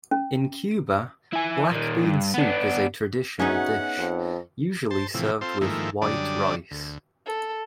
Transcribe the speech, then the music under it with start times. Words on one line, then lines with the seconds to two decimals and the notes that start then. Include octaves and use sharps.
In Cuba, black bean soup is a traditional dish, usually served with white rice.
0.11 C#4
1.33 E4 G#5
1.71 A#2 D#3
2.05 G2
2.34 B3 D4
3.39 B3 C#4 D#4 F#4 G#4 E5 F#5
3.98 F2
4.91 C5 A5
5.14 A2 C3 E3 F3
5.41 C4 F4 A4 C5
5.61 G#2 D#3 F3 A3 A#3 E4
6.02 F#2 D3 G3 D4 D5 D#6
6.71 D2
7.26 A4